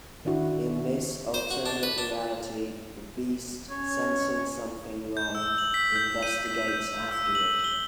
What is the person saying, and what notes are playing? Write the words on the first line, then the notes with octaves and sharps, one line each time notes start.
In this alternate reality, the Beast, sensing something wrong, investigates afterward.
D#3 D4 E4 F#4
C5
F#4
D4
B4
D4
C#4 C#5
G6
E6
F#7
B6
G6
D#7
B6
G6
E6
F#7
G7